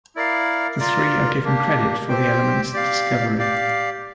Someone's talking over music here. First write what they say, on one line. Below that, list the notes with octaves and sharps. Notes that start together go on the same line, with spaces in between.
The three are given credit for the element's discovery.
E4 A#4 D5 F5
F4 A#4 D5
A#3 D4 G4
C4 G4 C5 G5
G4 D5 F5
G4 D5 F5